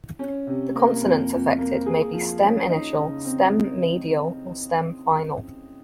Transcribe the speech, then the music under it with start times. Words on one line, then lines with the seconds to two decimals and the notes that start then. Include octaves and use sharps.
The consonants affected may be stem-initial, stem-medial, or stem-final.
0.19 C#4
0.47 C3
0.75 A#3
1.03 F2
1.31 F2
1.59 A#3
1.86 G#4
2.14 F3
2.43 C#4
2.69 D#4
2.98 C#3
3.25 C4